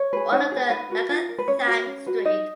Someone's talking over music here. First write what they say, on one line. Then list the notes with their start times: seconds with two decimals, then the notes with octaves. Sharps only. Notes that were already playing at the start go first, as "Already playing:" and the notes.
All of the Langenthal–St.
Already playing: C#5
0.13 G#4 B4
0.32 D#4 C#5
0.52 G#4 B4
0.70 D#4 B4
0.90 F#4 A#4
1.09 F4
1.29 A#4
1.38 B4
1.48 C#4 C#5
1.67 F#4 B4
1.87 C#4
2.06 F#4 B4
2.25 D#4 D#5